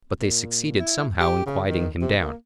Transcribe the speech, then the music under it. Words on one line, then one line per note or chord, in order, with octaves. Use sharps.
But they succeeded somehow in quieting him down.
A#2
E4
G4
C#3
D#3
C3
A#3